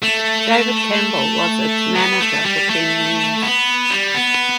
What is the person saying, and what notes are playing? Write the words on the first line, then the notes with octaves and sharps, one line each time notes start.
David Campbell was its manager for ten years.
A3
B3
A3
G3
A3
B3
G3
B3